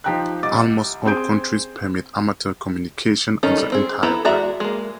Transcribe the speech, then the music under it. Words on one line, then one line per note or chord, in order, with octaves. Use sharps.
Almost all countries permit amateur communications on the entire band.
F3 D#4 G4 G5 A#5 F#6
C2 D#5 D6 A6
C4 G#4 G6 D7
D#3 C#4 D#4 A4
G3
C4 G#4
B3 E4 A4 A#5
G#3 F#4 D5 E5 A#5
G#3 A#3